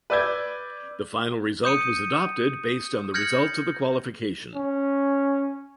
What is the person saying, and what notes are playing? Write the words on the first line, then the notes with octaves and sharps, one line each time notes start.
The final result was adopted based on the results of the qualification.
B4 D5 E6 G6 G#6
D#6 G6 C#7 D#7
F6 G6 G#6 A#6 C#7 F#7
C#4